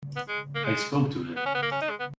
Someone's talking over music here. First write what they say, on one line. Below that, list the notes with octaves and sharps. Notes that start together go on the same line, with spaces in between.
I spoke to him.
B3
G#3
A#3
G#3
B3
C#4
B3
A#3
C#4
D#4
G#3
B3